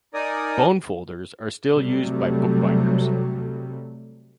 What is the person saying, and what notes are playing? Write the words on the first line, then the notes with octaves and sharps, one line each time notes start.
Bone folders are still used by bookbinders.
D#4 A#4 D5 G#5 D#6
C3 F#3 G3 A3